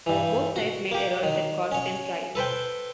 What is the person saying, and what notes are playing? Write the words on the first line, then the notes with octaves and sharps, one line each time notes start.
Both sides made errors that cost them tries.
G2 E3
F#4
A#3 G4
D#3
C#4 C#5
A4 B4 C5 G5